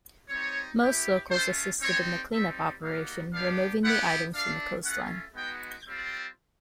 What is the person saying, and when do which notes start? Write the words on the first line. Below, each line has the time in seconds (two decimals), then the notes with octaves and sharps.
Most locals assisted in the clean-up operation, removing the items from the coastline.
0.29 G3 C4 D#4 C#5
0.80 B3 E4 G4
1.30 A3 C#4 F4 C5
1.81 G3 C4 D#4 C#5
2.31 G3 C4 D#4 E5
2.82 G3 A#3 D#4 F#4 F5
3.33 B3 D4 G4 F5
3.83 B3 E4 G4 F#5
4.34 A3 D4 F4 F5
4.84 A3 C#4 F4 F#5
5.35 G#3 B3 D#4 F#4 G5
5.85 G3 C4 F4